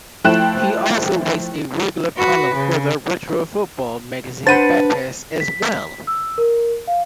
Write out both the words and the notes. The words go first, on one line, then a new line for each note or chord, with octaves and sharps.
He also writes a regular column for the retro football magazine Backpass as well.
F3 A3 E4 G5 F#6 E7
F#4 B4
C#3
D4 B4 C5 F#5 B5 A6 D#7
B6
E6
A#4
F5